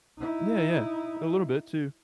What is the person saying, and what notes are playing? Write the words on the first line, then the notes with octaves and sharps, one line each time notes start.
Yeah, yeah. A little bit too.
D#4 E4